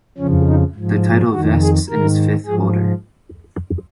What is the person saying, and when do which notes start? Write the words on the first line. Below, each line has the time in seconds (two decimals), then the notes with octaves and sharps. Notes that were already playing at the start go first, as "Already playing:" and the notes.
The title vests in its fifth holder.
0.18 F2 C#3 F3 C#4
0.47 D#4
0.75 G#2 F3
1.32 F2 D#3 F#4
1.61 G#4
1.89 G#2 D#3 A#4
2.47 G#2 F3 G#4